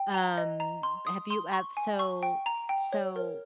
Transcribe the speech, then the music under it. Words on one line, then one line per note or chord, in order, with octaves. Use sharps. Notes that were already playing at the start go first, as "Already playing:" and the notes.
Um, have you ev so so
Already playing: G5
A#5
D#5
A#5
C6
D#6
C6
C#6
G#5
C#6
G5
A#5
G5
C#5
A#4